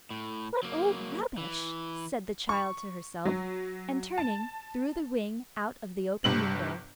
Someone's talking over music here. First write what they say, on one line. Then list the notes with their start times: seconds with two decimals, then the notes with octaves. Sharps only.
'What old rubbish,' said the child to herself, and, turning, threw the wing out of the open window.
0.10 A2
0.63 F#3 A#3
1.38 E3
2.49 C#6
3.25 F#3
4.18 A5
6.24 G1 G2 C3 F#7